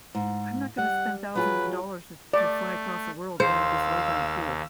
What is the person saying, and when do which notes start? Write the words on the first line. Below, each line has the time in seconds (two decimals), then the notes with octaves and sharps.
I'm not gonna spend thousands of dollars to to fly across the world and then just lay by the pool.
0.15 G#2
0.78 G3 F#5
1.35 F#3 F4 G#4 B4
2.33 A3 D5
3.40 D#2 C5 F5 E6